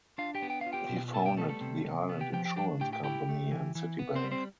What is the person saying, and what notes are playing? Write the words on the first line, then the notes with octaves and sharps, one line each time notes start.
He founded the Island Insurance company and City Bank.
D4 F4 F5
G4 G5
B3
G5
F5
F4
G4 G5
B2
B3 A4 A5
G4 G5
G3 A3 A4
A3 A4
C3
C3
B3
G4 G5
F3 G4 G5
G4 G5
D4 G4 G5
A2 G4 G5
G4 G5
E4 G4 G5
A3
E3
E3
B3
C4 C5
G3
C4 C5